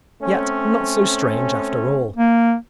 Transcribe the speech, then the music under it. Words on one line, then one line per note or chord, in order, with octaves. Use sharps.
Yet not so strange after all.
A3 C4 C#4
A#3